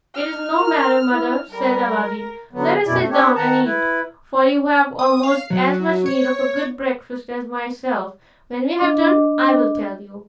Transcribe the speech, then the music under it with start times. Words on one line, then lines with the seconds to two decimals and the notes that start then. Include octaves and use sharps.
"It is no matter, mother," said Aladdin, "let us sit down and eat; for you have almost as much need of a good breakfast as myself; when we have done, I will tell you."
0.15 F6
0.55 A#4
1.10 E4
1.50 G3 A#4
2.53 D3 F#3 B3
2.86 F#2 B2 E4 D5
2.98 A3
3.10 C4 D4 G4 C#5
3.35 D#3 F#5 A5 A#5
3.64 E4 B4
4.99 D#6
5.23 F5
5.50 F#3
6.06 C#5
8.78 D4 D#5 D6